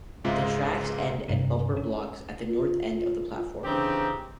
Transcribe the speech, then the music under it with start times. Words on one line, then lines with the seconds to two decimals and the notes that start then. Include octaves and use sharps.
The tracks end at bumper blocks at the north end of the platform.
0.24 C#2 G#2 G#3 C4 F4 E5
1.28 G1 G2 C3
1.76 C#4
2.49 F4
3.64 C#3 E3 C4 D4 D#4 G4